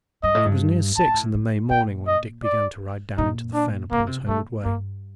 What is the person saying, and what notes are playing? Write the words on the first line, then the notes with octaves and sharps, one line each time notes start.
It was near six in the May morning when Dick began to ride down into the fen upon his homeward way.
G2 D#5
A2
G2
A2 A5
A#2
A2
A2
A#2 G5
D#5
D5
A#2 D#4
D4
C3 A#3
D3
C3
C3
A#2 A3
G2 A#3